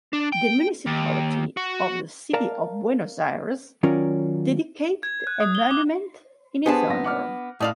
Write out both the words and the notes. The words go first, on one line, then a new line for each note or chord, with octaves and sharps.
The municipality of the City of Buenos Aires dedicated a monument in his honor.
D4
G5
D#2
F#4
A#4 D5 F5 A5 A#5
D#3 F#3 C#4 F4 A#4 D5
G#6
F#6
D#6
G7
D6
B3 D4 G4 G#4 C5 A5
F#2 C4 A#6
F#5 D6 F6
A2 D5 F5 D#6